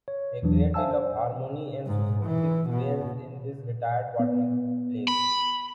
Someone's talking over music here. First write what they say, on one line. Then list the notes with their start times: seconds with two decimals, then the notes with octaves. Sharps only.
A great deal of harmony and sociability prevails in this retired watering place.
0.08 C#5
0.42 E2 E3 F#3 D4
0.74 C5 E5 F5 G#5 A5 E6
0.91 C5
1.86 G#2
2.27 E3
2.70 B2
4.20 B3
5.08 B5